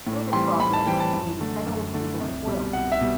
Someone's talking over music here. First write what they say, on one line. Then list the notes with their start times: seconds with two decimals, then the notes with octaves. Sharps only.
Further progress awaited federal approval of an oil lease.
0.06 A2
0.33 E3 G3 C4 C6
0.60 A2 B5
0.73 A5
0.87 E3 G3 C4 G5
1.00 A5
1.13 F#2
1.40 D3 A3
1.67 F#2
1.94 D3 A3
2.20 C2
2.47 B2 G3
2.73 C2 F#5
2.92 E5
3.01 B2 G3